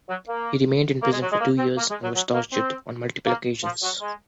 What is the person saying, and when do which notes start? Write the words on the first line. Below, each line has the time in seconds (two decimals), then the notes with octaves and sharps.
He remained in prison for two years and was tortured on multiple occasions.
0.09 F#3
0.28 A#3
1.02 A#3
1.12 G#3
1.22 F#3
1.31 G#3
1.40 A#3
1.58 C4
1.77 A#3
1.90 G#3
2.02 F#3
2.15 F#3
2.33 A#3
2.52 C4
3.27 A#3
3.63 F3
3.82 F#3
4.00 G#3